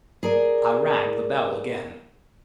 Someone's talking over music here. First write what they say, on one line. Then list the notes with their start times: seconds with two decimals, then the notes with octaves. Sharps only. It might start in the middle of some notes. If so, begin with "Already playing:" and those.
I rang the bell again.
0.23 G#4 A#4 D5